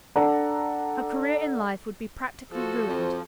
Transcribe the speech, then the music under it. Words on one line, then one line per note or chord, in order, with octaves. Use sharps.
Her career in life would be practically ruined.
D4 A4 F#5 A#5
F3 F#4 A4
F2